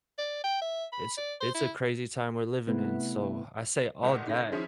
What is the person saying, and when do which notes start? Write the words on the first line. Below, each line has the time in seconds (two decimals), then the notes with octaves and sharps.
It's it's a crazy time we're living in, so, I say all that
0.18 D5
0.44 G5
0.61 E5
0.92 B5
1.17 D5
1.40 C5
1.54 E4
2.67 C3 A3 B3 E4 B4
4.03 G1 A#2 G#3 D#5 F#5
4.26 G#2 C#3 A3 A#6
4.52 D#3 F3 C#4 E4 G#4 C5